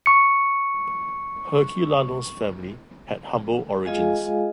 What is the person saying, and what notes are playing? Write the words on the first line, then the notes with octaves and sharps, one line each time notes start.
Herculano's family had humble origins.
C#6 C#7
G#3 F4 G#4 D#5 F5 G#5